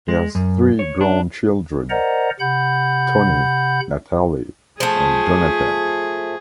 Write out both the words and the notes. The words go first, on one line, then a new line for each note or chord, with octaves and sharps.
He has three grown children: Tony, Natalie and Jonathan.
G#3
F#2
C#5
D4
A#4 C5 D5 D#5 F#5 A#5
C3 F#5 B5 G6
F3 A3 G#4